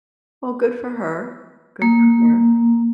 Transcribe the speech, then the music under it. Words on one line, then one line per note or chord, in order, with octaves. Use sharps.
Well, good for her. Good for her.
A#3